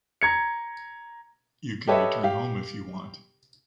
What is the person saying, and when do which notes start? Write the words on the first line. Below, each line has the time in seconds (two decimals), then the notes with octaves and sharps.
You can return home If you want.
0.21 A#5 G#6 C#7
1.87 G4 A4 B4 C#5 D#5 E5
2.24 G4 F5